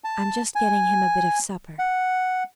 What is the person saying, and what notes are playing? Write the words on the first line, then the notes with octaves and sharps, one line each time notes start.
I'm just getting him a bit of supper.
A5
G#5
F#5